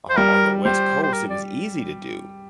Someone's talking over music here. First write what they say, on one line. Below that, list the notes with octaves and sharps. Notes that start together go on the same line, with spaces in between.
o on the West Coast, it was easy to do,
C5
G3 A#4
G3 C5
C5
A#4
D5